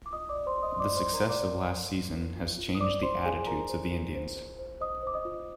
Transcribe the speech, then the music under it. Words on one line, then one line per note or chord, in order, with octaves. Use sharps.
The success of last season has changed the attitudes of the Indians.
D6
F4 D#5 D#6
D5 D6
F4
C5 C6
D5
D#5 D#6
C6
F4 D5 D6
C5 C6
F4
A#4 A#5
F4 D5 D6
A#4
D5
A#4
A#4
F4
F4
D#6
C5 D5 D6
C5 C6
F4 G#4 G#5
F4 A#4 A#5
C5
F4
C5
C5
C5
C5 D#5 D#6
C5 D6
D#5 D#6
F4